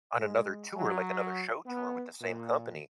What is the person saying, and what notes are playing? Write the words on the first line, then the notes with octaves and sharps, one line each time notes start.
on another tour, like another show tour with the same company,
G#3
F#3
B3
A#2